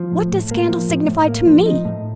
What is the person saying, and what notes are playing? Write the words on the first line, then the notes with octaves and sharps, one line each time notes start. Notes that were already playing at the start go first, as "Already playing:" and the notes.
What does scandal signify to me?
Already playing: F3
A2
A2
A#3
F3
A2
A2
A#3
F3
D#4
A2